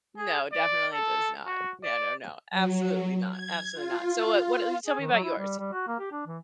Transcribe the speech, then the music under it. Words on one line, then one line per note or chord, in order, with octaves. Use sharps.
No, definitely does not. Yeah, no, no, absolutely not, absolutely not. So, what what you tell me about yours
G#4
D5
A4
F#4
D5
F#3
G#6
F4
G#4
D#3
F#3
E4
G3
G3
F#4
A#3
G4
D4
E3